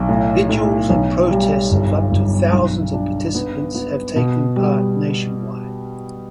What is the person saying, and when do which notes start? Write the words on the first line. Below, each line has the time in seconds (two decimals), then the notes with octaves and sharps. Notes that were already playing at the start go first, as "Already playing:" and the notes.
Vigils and protests of up to thousands of participants have taken part nationwide.
Already playing: B1
0.09 A2
0.49 A2
0.90 B1
1.31 G3
1.71 G1
2.12 G1
2.53 B1
2.93 D4
3.35 B3
3.75 B3
4.16 B2
4.56 G3